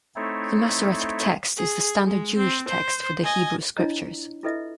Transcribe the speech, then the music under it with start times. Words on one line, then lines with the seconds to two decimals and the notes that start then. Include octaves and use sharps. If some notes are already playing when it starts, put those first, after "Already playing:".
The Masoretic Text is the standard Jewish text for the Hebrew Scriptures.
0.16 A3 C4 D#4 E4 A4 C#5
1.57 G#4
2.06 G#3
2.36 C4
2.68 C5
3.24 D#5 G#5
3.77 D4 E4 F4 C#5 D#5 A#5
4.43 E4 F4 A4 B4 D#5 E5